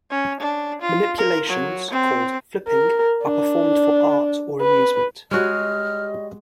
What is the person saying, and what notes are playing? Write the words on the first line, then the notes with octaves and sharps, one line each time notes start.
Manipulations, called "flipping", are performed for art or amusement.
C#4
D4
F4
A#4
F#3
C4
A#4
D4
B4
G3 G#3 F#4 C#5 D#5 F6